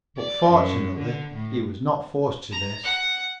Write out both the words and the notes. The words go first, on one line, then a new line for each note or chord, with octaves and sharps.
But, fortunately, he was not forced to this.
D5
F#2
D3
A2
A#5
F#5